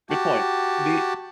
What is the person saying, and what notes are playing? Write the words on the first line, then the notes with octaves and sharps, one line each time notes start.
good point. The
F#4 G4 A5